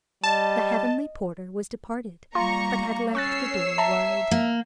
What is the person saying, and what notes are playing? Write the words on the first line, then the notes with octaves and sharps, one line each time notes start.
The heavenly porter was departed, but had left the door wide.
G3 D#5 A5
G3 A#3 F4 A#5 C#6
C#4 C#5 C#6 E6 F#6 A6 C7
E5 A5 A#5
A#3